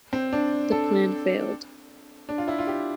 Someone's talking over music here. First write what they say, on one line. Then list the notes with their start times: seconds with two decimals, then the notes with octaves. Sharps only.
The plan failed.
0.13 C4
0.33 D4
0.72 A4
2.29 D4
2.38 F4
2.48 E4
2.58 F4
2.67 G4